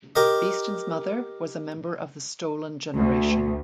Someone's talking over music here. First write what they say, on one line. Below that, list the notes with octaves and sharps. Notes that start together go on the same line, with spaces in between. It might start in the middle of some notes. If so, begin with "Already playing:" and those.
Beetson's mother was a member of the Stolen Generation.
G4 A#4 D#5
D2